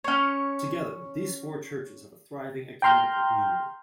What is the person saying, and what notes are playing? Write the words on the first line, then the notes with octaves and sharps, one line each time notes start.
Together, these four churches have a thriving ecumenical community.
C#4 C#5
G5 A#5 C6 F6 G6